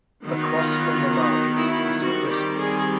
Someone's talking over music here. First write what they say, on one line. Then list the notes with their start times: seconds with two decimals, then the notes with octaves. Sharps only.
Across from the market is a prison.
0.24 D#3 F#3 B3 D#4
0.53 F4
0.82 F4
1.11 D#4
1.56 E4
1.99 D#3 G3 C4 F#4
2.28 G4
2.58 G#4